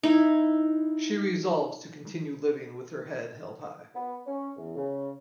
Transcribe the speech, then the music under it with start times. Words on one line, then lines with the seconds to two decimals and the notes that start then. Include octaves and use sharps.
She resolves to continue living with her head held high.
0.03 D#4 E4
3.94 B3
4.27 C#4
4.57 E2
4.76 C#3